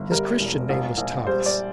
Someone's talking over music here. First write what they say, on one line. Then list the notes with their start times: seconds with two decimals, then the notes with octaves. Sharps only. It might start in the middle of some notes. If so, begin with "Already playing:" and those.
His Christian name was Thomas.
Already playing: G1
0.12 G3 A#4
0.40 E1
0.69 A#1
0.98 A#1
1.27 G3 C5
1.46 D5